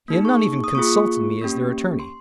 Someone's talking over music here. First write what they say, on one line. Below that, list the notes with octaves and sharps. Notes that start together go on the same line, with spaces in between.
He had not even consulted me as their attorney.
A#3 D#4 G#4
C#6
D#6
A#3 F4 G#4 C#6
A#3 C#4 G4
C6